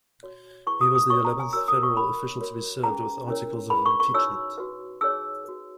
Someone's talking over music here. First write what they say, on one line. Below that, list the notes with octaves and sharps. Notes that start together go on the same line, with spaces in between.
He was the eleventh federal official to be served with articles of Impeachment.
F#4 C#5
E4 G#4 B4 C#6
D#6
D#6
C#4 F#4 A#4 C#5 C#6
A#5
G#5
F#4 A#4 C#5 E6
D#6
C#6
D#4 A#4 C#5 B5
F#4 A#4 C#5
C#4 G#4 B4 A#5
C#4 E4 A#4 C#5
E4 G#4 B4 B5
C#6
C#6
D#4 F#4 C#5 E6
F#4 B4
D#4 G#4 C#5 E6
F#4 B4